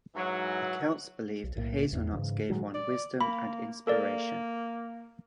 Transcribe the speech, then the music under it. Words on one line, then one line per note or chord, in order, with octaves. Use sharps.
The Celts believed hazelnuts gave one wisdom and inspiration.
G#2 E3 F#3
B1
B1 A2 D#3 A#3
G1 E2 A2
G#2 C#3 E3
A#2 D#3 F#3 G#3
D5
A#3 B5
A#3 A4 A#4 D5